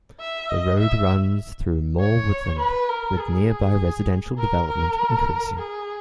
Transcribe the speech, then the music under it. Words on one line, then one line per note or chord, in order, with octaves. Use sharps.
The road runs through more woodland, with nearby residential development increasing.
E5
D#5
E5
C#5
B4
A#4
G#4
A#4
A#4
G#4